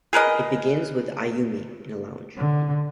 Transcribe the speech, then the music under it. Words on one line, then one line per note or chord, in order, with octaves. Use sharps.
It begins with Ayumi in a lounge.
G#4 A#4 B4 D#5
D3